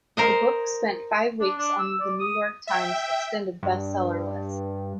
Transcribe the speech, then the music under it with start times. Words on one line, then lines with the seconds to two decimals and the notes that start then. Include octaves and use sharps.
The book spent five weeks on "The New York Times" extended best-seller list.
0.17 A#4 C5 D#5
1.41 D4
1.58 D4
1.79 E6
2.00 D5
2.20 D#6
2.67 E5 G5
3.63 G2